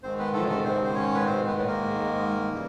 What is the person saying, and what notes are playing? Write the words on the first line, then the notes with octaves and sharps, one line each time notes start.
Yeah, yeah, I would, like, I would definitely, um,
G#2 D#3 G#3 C4 C5
B3 B4
A3 A4
A3 A4
C4 C5
C5
C#4 C#5
B4
C4 C5
B3 B4
B4
A#3 A#4
C#3 E3 G3